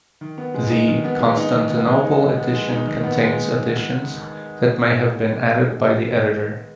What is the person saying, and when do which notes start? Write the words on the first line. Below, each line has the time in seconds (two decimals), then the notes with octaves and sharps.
The Constantinople edition contains additions that may have been added by the editor.
0.21 D#3
0.38 B3
0.54 G#3
0.71 D#4
0.88 D#3
1.04 B3
1.20 G#3
1.37 D#4
1.54 D#3
1.70 B3
1.87 G#3
2.03 D#4
2.21 D#3
2.37 B3
2.54 G#3
2.70 D#4
2.87 D#3
3.03 B3
3.21 G#3